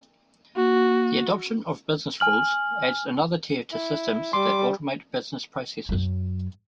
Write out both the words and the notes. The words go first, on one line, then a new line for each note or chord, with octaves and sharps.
The adoption of business rules adds another tier to systems that automate business processes.
A#3 F#4
G#5 F6 F#7
E4
G3 C6 D6
F#2 F#3